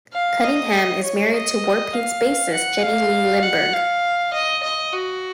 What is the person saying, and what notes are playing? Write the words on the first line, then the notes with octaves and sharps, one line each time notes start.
Cunningham is married to Warpaint's bassist Jenny Lee Lindberg.
F5
D#5
C#5
D#5
F5
F#5
F5
F#5
F5
D#5
D#5
F#4